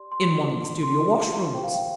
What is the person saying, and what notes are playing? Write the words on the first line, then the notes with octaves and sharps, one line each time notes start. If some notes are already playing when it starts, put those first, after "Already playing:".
"In one of the studio washrooms."
Already playing: G4 D5 C6
C6
D4 F4 D5
C6
F4 A#4 D5
G4 C5 F5 G5
G5